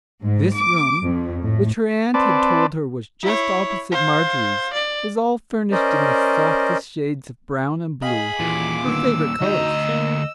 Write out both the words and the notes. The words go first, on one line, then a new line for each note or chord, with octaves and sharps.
This room--which her aunt had told her was just opposite Marjorie's--was all furnished in the softest shades of brown and blue, her favourite colours.
G#2
D6
F2
A2
C4 B4 D5 A5
E4 C#5
C5 F5
D5
C#4 A#4 C5 D5 D#5
G#4 D#5 F5 G5 B5
D#2 A#2 E3 D6
D3 D#3 B3 E6
D2 D#4 F#4 D#5 A#5 G6
A#3